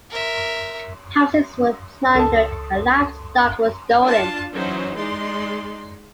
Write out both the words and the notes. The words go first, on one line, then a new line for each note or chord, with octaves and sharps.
Houses were plundered and livestock were stolen.
A#4 E5
C#2 A4 A5 D#6
D4 F4 A5
E3 F#3 C#4 D#4 C5
G#3 D#4 D5 C6